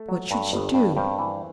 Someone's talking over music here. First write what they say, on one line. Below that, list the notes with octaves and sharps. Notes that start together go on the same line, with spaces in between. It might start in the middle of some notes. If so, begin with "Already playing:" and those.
What should she do?
Already playing: A3 A4
F#3
G2 A4 B4
G1
G2
G2 A#4 C5
E3